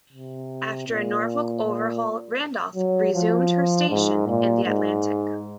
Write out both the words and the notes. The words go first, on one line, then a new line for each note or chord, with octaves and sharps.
After a Norfolk overhaul, "Randolph" resumed her station in the Atlantic.
C3
A#2
A#2
F#3
F3
G#2
A#2
G#2